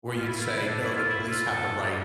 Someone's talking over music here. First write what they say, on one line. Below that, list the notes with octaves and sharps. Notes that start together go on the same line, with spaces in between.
where you'd say, "No, the police have the right
F4
E4
F4
E4
E4
D4
E4
F4
E4
F4
A4